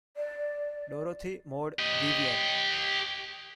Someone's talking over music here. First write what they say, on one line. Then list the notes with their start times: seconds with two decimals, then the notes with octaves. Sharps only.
Dorothy Maud Vivian.
0.17 D5
1.79 G4 D#5